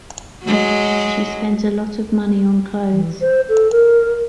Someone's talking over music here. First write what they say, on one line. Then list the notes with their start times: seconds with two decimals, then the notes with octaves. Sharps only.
She spends a lot of money on clothes.
0.44 F#3 G#3
2.92 E3
3.21 C5
3.49 A4
3.71 A#4